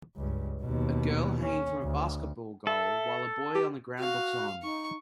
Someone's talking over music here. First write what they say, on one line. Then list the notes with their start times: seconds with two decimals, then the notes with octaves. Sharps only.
A girl hanging from a basketball goal while a boy on the ground looks on.
0.16 C#2 G2
0.63 D#2 B2
1.44 C#4
1.83 D2
2.67 A4 E5
3.55 G4
3.99 F#4 F5
4.63 D#4 C#6